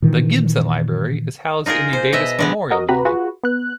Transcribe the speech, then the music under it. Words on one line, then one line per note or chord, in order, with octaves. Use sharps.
The Gibson Library is housed in the Davis Memorial Building.
A#2 D#3 E3
D#4 F4 G#4 A#4
C5
B2 D#5 E5
D3 G#3 B3
F#4 A#4 D#5
C3 F#4 G4 B4 A#5 B5
F4 F#4 G#4 B4
B3 F#6